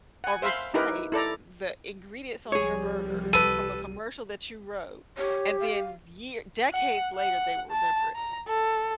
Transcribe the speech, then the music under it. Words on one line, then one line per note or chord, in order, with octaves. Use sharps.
or recite the ingredients on your burger from a commercial that you wrote and then year decades later, they will remember it.
F#5 G#5
C5 E5 F5 B5 C6
D#4 E4 G4 A#4 B4
E4 A4 D5 A#5
C2 F3 G3 G#4 C#5
A4 B4 D#7
G4 C#5
F5
F#5
F#5
A5
A#5
A4